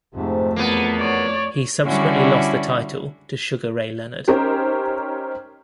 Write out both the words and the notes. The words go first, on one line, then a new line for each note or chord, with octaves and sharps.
He subsequently lost the title to Sugar Ray Leonard.
F2 G#2 C3 A3
E2 A#3 B3
C#5 D5
D3 G3 C#4 E4 F#4
C#4 D#4 G4 A#4 C5